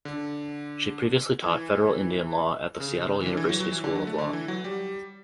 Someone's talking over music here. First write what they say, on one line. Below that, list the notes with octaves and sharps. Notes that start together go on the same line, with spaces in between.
She previously taught Federal Indian Law at the Seattle University School of Law.
D3
E3
C#3
E3
D3
E3
F#3
F#3
E3
D3
F#3
A3
D3
E3
F#3
G3